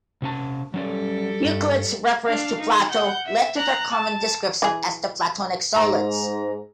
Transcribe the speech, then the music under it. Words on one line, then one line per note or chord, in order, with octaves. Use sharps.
Euclid's reference to Plato led to their common description as the "Platonic solids".
C3 C#4 A5
F#3 G3 C#4 A4 D5
G2
D4 F5
D#4
F#5 G6
E5
A#5 F#6
A5
E3 G#4
G#2 A#5